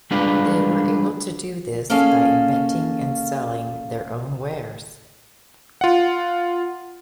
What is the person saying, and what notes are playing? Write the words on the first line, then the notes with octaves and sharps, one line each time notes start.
They were able to do this by inventing and selling their own wares.
G3 G#3 D4 F4 B4
A#3 C#4 G#4 A4 F5
F4 F#5